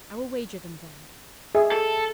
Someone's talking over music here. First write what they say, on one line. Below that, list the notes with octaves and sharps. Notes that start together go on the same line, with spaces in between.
"I will wager them, then."
G#4 E5
A4